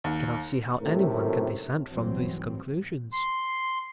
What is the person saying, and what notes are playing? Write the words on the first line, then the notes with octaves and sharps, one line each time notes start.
'I cannot see how anyone can dissent from these conclusions.'
D#2
G#1 F#2 A2 C3 A3 A#4
F1 C2 G#2 E3 F#3 C4
C6